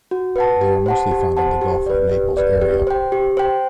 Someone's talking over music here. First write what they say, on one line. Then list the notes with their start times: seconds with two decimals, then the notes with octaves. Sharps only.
They are mostly found in the Gulf of Naples area.
0.11 F#4
0.36 B4 F#5 A5
0.61 G4
0.86 C5 F#5 A5
1.11 G4
1.37 C5 F#5 A5
1.61 G4
1.86 B4 D5
2.11 G4
2.37 B4 D5
2.62 G4
2.87 C5 G5
3.12 G4
3.37 C5 G5